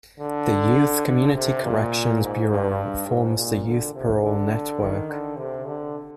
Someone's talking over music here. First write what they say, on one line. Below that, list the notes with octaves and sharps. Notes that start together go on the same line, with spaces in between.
The Youth Community Corrections Bureau forms the youth parole network.
D3
D3
C3
A#2
G#2
G2
G#2
A#2
D3
C3
D3
D#3
D3
C3
D3